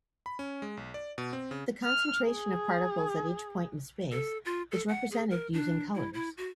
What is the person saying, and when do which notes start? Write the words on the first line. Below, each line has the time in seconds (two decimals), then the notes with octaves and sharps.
The concentration of particles at each point in space is represented using colors.
0.26 B5
0.39 C#4
0.62 G#3
0.77 B1
0.94 D5
1.18 B2
1.33 C4
1.51 C#3
1.84 F6
2.26 G#4
4.12 A4
4.45 F4
4.72 A4
4.89 F#5
5.11 G#4
5.31 A#4
5.53 D4
5.95 E4
6.14 E4
6.37 F#4